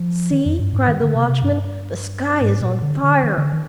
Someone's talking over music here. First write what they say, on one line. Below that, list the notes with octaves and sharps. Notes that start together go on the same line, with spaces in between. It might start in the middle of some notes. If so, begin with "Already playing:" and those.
"See!" cried the watchman, "the sky is on fire!"
Already playing: F3
D#3
F2
G2
G#2
D#3
D3
C3
C3
G2
G#2
A#2
D3
D3
D#3
D3
D#3